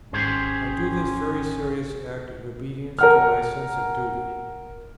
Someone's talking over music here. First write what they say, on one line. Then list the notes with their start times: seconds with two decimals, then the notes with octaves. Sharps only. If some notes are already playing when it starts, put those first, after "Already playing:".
I do this very serious act in obedience to my sense of duty.
0.13 G#1 C#4 G4 G#4 C5
2.99 A#4 F#5 F6